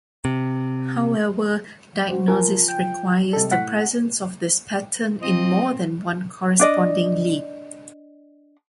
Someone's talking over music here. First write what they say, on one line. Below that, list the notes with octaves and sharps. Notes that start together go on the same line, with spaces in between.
However, diagnosis requires the presence of this pattern in more than one corresponding lead.
C3
F#3 F#4 C5
F3 A#4 G#5
G5
C3 G3 G#3 A4
A2 F#5 B6
F3 C4 D#5
D4 D5 D#5